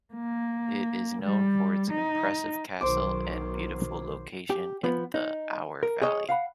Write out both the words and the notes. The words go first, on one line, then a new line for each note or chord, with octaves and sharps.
It is known for its impressive castle and beautiful location in the Our valley.
A#3
G3
D#4
B1 D#3 F#3 C5 D6
G4
F3 B3
D#4
A#4
G#4 C#5 D#5
F5 F#5 B5